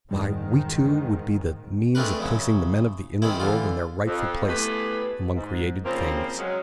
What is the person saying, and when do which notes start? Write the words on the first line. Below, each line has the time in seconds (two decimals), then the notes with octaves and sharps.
Why, we two would be the means of placing the men of the inner world in their rightful place among created things.
0.11 F2 G#2 D#3 G3
1.95 G#3 A3 C4 D4 A#4 B4
2.20 F#2 C#3
3.22 D#3 G#3 C4 E4
3.40 D3 E3 F4
4.07 F2
4.48 A3 B3 E4 G4 G#4 B4
5.35 G#2
5.85 C#3 F3 A#3 C4
6.38 F#3 G#3 C#4